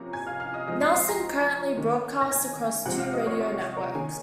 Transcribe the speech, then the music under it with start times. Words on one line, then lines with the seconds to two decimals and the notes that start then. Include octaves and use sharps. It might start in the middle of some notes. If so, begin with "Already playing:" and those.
Nelson currently broadcasts across two radio networks.
Already playing: C3 F3 A#3 C#4 A#5
0.13 G#5 G#6
0.26 F5 F6
0.40 F5 F6
0.54 D#5 D#6
0.67 F3 G#3 C4 D#5 D#6
0.81 C6 C7
0.95 C6 C7
1.08 A#5 A#6
1.77 D#3 A#3 C#4
2.21 A#6
2.31 G#5 G#6
2.86 C3 F3 G#3 C4 F#5 F#6
2.99 F5 F6
3.13 D#5 D#6
3.26 C#5 C#6
3.40 C#5 C#6
3.77 A#4 A#5
3.95 D#3 A#3 C#4 G#4 G#5